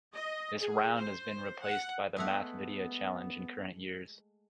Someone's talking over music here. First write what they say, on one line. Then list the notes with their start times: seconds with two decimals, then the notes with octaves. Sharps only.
This round has been replaced by the Math Video Challenge in current years.
0.15 D#5
0.60 G#4
0.96 C5
1.65 F#5
2.16 G#3 A3 B3 F#5